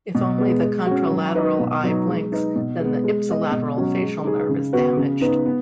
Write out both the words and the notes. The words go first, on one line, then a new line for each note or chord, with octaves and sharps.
If only the contralateral eye blinks, then the ipsilateral facial nerve is damaged.
B2
G#3 B3
G#3
C#4 F#4
F#3
D#4 B4 D#5
B2
F#3 B3 D#4
G#3
D#4 B4 D#5
B2
G#3 B3
G#3
B3 G#4 D#5
B2
F#3 C#4 F#4
G#3
D#4 G#4
C#3
B3 F#4 B4
C#3
B3 D#4 B4
B3